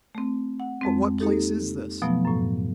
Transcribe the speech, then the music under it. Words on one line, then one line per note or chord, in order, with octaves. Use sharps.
"But what place is this?"
A3 C4
F#5
F2 G#3 C4
A#3 D#4 G4 A4
B2 F3 F#3 A3 B3
F#2 A2